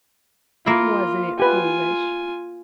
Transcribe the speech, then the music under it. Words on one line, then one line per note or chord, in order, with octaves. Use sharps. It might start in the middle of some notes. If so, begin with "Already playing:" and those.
Wasn't it foolish?
A#3 E4 F4
F4 G4 B4 G#5